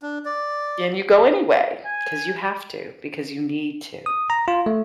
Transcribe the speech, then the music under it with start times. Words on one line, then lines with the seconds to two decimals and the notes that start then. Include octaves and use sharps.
Then you go anyway 'cause you have to, because you need to.
0.02 D4
0.25 D5
1.85 G#5
4.06 D#6
4.30 A#5
4.48 F4
4.66 A3